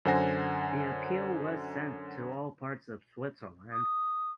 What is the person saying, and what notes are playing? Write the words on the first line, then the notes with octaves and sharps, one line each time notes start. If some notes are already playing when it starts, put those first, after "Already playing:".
The appeal was sent to all parts of Switzerland.
F#2 D3 C5 F#5 G#5 A#6
D#6